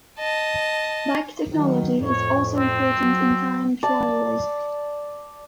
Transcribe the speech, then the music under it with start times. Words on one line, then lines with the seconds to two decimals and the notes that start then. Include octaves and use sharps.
Bike technology is also important in time trials.
0.19 D#5 A5
1.53 D#3 F#3
2.02 F2 A2 C#5
2.55 C4
2.98 F#3
3.83 D5 A5